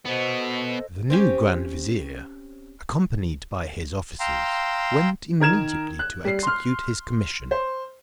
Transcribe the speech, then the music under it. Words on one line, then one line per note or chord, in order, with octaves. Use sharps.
The new grand vizier, accompanied by his officers, went immediately to execute his commission.
B2 B3 A4 C5 D#5
C4 C#4 G4
F5 G5 A#5 C6 E6
D#3 A#4 G#6 E7
F#6
G3 C7
C6 F6
C5